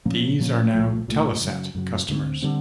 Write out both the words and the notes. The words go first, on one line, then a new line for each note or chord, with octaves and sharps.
These are now Telesat customers.
A#2 F3 A#3 C#4
A#2 F3 A#3 C#4
C2 A#2 F3 A3
C2 A#2 F3 A3
F#2 C#3 F#3
F#2 C#3 F#3
D2 D3 G3 C4
D3 G3 C4